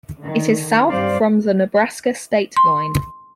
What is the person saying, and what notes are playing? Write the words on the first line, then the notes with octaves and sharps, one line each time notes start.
It is south from the Nebraska state line.
D3 D#3
G2 G3 C4 C5 D5 F5
C6